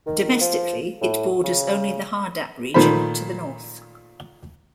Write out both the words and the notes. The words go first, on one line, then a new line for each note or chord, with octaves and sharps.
Domestically, it borders only the Hardap Region, to the north.
D#3
F3
A2
C#3
A#2 D#3 A3 C5 B5